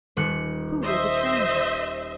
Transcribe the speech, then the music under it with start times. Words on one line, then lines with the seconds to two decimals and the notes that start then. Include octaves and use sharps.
Who were the strangers?
0.17 D#1 F#6 C#7
0.82 C5 D#5 E5